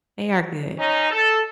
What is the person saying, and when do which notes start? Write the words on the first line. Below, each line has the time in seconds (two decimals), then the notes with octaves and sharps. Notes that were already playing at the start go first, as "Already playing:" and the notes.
They are good.
0.77 C#4 D#4
1.10 A4